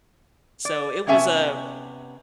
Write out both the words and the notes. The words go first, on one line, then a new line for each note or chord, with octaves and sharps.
So it was a
D5
C3 B3 C#4 E5 G#5 A5